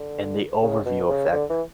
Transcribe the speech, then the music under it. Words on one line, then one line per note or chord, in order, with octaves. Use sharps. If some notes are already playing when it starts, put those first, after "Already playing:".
And the overview effect
Already playing: D3
C#3
B2
C#3
D3
E3